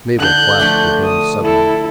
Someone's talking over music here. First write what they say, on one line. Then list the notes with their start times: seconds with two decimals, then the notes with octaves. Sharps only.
Mabel clasped her hands suddenly.
0.20 D3 F#6 G6
0.59 F3 A3 D4
1.04 D#6
1.43 E4 A4